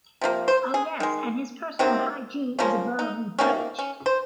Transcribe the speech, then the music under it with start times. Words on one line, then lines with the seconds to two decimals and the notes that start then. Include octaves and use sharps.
Oh yes, and his personal hygiene is above reproach.
0.21 C3 F3 A#3
0.48 C5
0.74 G#4
1.00 D#3 G#3
1.79 C3 D#3 F#3 A#3 C4
2.59 C#3 F3 A#3 C#4
2.99 D#4
3.39 C3 D#3 A#3 C#4
3.79 C#4
4.06 C5